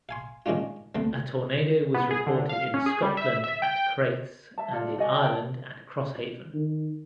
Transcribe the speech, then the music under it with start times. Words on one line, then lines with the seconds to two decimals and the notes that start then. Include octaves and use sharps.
A tornado was reported in Scotland at Crathes and in Ireland at Crosshaven.
0.09 F5 G#5 C6
0.46 D#3 G#3 C#4 D4 F4
0.95 D2 A3 C4
1.94 B3
2.11 G#4
2.27 D3
2.49 F5
2.74 C#4
2.86 G#4
3.02 G3
3.17 E5
3.44 E5
3.62 G5
3.76 G5
4.58 E5 A5
4.73 F4 A4 D5
4.98 F#4 D5 D#5 G#5
5.11 D#5 G5
5.23 G5 A5
6.54 D#3